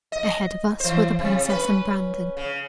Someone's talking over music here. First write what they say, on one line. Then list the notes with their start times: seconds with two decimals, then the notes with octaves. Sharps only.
Ahead of us were the princess and Brandon.
0.12 D#5
0.80 E3 C5
1.19 C3
1.46 C#4 B4
2.37 C#3